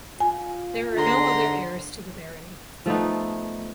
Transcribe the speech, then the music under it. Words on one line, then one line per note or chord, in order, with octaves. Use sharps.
There are no other heirs to the barony.
F4 G#5
G#2 D3 A#5 C6
F3 A3 B3 D#4